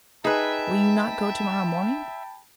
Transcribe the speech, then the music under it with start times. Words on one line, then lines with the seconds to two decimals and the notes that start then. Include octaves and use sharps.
"Will you not go tomorrow morning?"
0.25 D#4 G#4 B4 E5 G5 A5 B5